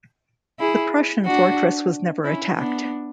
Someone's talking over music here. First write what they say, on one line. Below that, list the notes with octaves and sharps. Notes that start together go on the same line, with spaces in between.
The Prussian fortress was never attacked.
E4 G#4
D4 F#4
C#4 E4
B3 D4